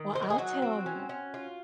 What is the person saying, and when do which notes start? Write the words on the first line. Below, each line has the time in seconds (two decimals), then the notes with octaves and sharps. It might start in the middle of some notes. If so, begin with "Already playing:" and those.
Well, I'll tell ya.
Already playing: D#3
0.13 D#4 C5
0.22 A#4
0.30 G#4
0.38 F#3 F#4
0.62 C4
0.86 C#4
1.09 C#4
1.34 F4